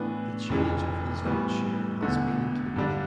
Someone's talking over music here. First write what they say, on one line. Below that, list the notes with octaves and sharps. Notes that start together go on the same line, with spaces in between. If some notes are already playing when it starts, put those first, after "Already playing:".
The change of his vote share has been included.
Already playing: A2 E3 B3 D4
F1 F2 E3
A2 E3 G3 B3
E1 E2 D3 A3
G2 D3 G3 D4